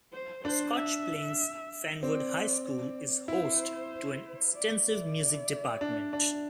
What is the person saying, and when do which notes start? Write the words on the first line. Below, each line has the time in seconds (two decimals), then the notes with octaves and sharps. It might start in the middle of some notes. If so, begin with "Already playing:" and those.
Scotch Plains-Fanwood High School is host to an extensive music department.
0.13 C5
0.45 D4 C5
0.76 E5
2.02 C4 D5
2.65 D5
3.28 E4 C5
4.54 D5
4.87 D5
5.81 D4
6.13 D4